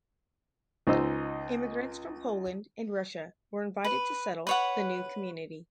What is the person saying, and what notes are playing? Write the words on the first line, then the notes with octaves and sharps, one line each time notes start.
Immigrants from Poland and Russia were invited to settle the new community.
C#2 D#4 C5 D#5 E6
B4
B4 C#5 F#5